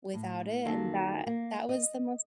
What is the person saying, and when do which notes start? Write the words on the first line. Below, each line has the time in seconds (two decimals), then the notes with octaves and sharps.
without it, and that that was the most
0.14 A2
0.65 F#2 D#3 A#3 A4
1.27 A#3
1.69 D#5